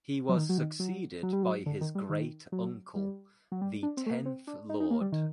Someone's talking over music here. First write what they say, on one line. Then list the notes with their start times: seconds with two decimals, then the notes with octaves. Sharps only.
He was succeeded by his great-uncle, the tenth Lord.
0.29 F#3
0.37 D#3
0.49 F#3
0.58 D#3
0.80 F#3
1.23 F#3
1.33 G3
1.43 F#3
1.66 D3
1.81 D#3
1.95 G3
2.10 D#3
2.52 F#3
2.96 G3
3.52 F#3
3.61 G3
3.83 D4
3.97 C4
4.06 A3
4.11 A#3
4.26 C4
4.47 D4
4.69 D#4
4.80 D#4
4.91 A#3
5.01 G3
5.12 D#3